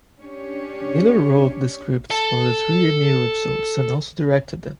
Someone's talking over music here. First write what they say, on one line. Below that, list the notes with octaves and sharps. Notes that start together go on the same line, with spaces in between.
Naylor wrote the scripts for the three new episodes and also directed them.
C#4 D4 G4 C#5
A4 A5